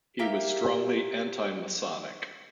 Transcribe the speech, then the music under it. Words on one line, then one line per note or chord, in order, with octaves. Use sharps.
He was strongly Anti-Masonic.
A#3 G4 E5 F5